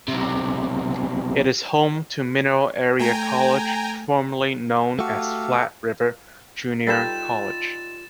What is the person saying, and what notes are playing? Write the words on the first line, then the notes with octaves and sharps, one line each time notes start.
It is home to Mineral Area College, formerly known as Flat River Junior College.
B1 C3
A3 G5 G#5 A#5
A3 F#4 G4 A4 F5
G3 D#4 F4 A4 B4 G5 A6 E7